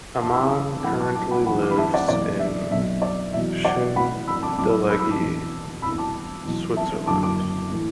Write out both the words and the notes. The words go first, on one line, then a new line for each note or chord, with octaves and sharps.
Ammann currently lives in Schindellegi, Switzerland.
E2 E3 A5 D6
B5 E6
A5 D6
D6
A1 A2 F#3 F#5 B5
A5 D6
A5 D6
F#5 B5
E2 D3 F#3 F#5 B5
D6
B5
E5 A5
D5 F#5
F#1 E2 B2 D5
E5
B1 B2 F#3 E5
D5
E2 B2 F#3 E5
D5 F#5
A1 A2 E3 F#5 B5
B5 E6
A5 D6
B1 A2 F#3 A5 D6
B5 E6
B5 E6
B5 E6
A5 D6
E1 E2 B2
E1 E2 E3 B5 E6
A5 D6
E2 B2 F#3
E5 A5
F#1 F#2 D3 F#3 A5 D6
A5 D6
A2 E3